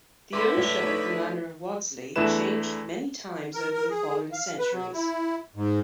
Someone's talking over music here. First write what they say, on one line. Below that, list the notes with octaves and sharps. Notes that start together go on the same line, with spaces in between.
The ownership of the manor of Wadsley changed many times over the following centuries.
D3 E4 B4 B5 C6 D6
A2 F#3 C#5
A3 D#4 C#5
E2 A3 D4 E4 B4 E7
A#4
A#4
G#4
F5
B4
F#3
E4
G#2